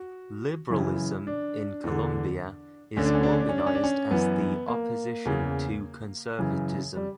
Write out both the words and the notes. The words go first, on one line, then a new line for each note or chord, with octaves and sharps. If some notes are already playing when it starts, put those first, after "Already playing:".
Liberalism in Colombia is organized as the opposition to conservatism.
Already playing: F#4
F#2 C#3 E3 E4
D4
E2 D3
D2 D3 C#4
D4
C#4
D4
C#4
D4
C#4
D4
C#4
D4
C#4
F#2 E3 B3
A#3
E2 C#3 E3
F#2 C#3 E3
G3